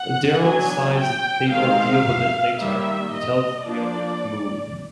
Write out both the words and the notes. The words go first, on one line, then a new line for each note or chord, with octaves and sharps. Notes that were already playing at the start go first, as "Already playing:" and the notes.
Daryl decides they will deal with it later and tells the others to move.
Already playing: F#5
F#3 B3 D4 G#5
G5
D#3 G#3 C4 F5
D#3 G3 A#3 E5
D#5
F3 A#3 D4 D5